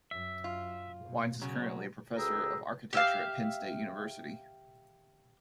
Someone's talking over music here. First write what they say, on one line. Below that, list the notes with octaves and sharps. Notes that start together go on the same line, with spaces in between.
Wines is currently a professor of architecture at Penn State University.
F#2 E5
F4
B2
C#3 F#3
D2 G#4 B4 G5 A#5 E6
G4 E5 F5